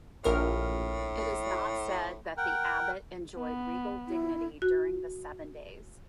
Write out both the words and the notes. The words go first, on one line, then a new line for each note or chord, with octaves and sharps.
It is not said that the abbot enjoyed regal dignity during the seven days.
A#1 A2 A#4 F6
A#4 F#5 G5
B3
E4
F#4